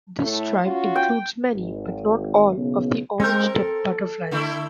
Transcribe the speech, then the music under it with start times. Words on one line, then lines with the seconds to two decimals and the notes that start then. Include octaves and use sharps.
This tribe includes many, but not all, of the orangetip butterflies.
0.23 A2 A3 E4
0.65 C#4 F4 F#4
0.96 G5
1.54 G#1
2.56 F#1 B1 C#3 B3
3.20 G#3 C4 A#4 G6
3.55 A4
4.31 D3 A3 E4